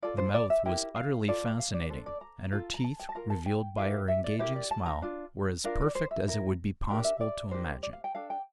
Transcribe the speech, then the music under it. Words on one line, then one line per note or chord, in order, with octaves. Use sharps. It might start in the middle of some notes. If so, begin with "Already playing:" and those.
The mouth was utterly fascinating, and her teeth, revealed by her engaging smile, were as perfect as it would be possible to imagine.
F4 A4 D5
C5
D5
E5
E4 G4 A#4 G5
F5
F4 A4 D5
F5
D5
D4 A4 C5
D5
A#5
F4 A4
A#5
A5
G5
A5
F4 A#4 A#5
A5
G5
E4 G4 A#4 F5
E5
D5
E4 G4 A#4 C5
D5
A5
A#5
D4 F4
D4 F4 A#4 F5
D5
C5
E5
E4 A#4
D4 G4 A#4 G5
E5
D5
D4 G4 A#4 C5
D5
F5
G5
D4 A4 F5
G5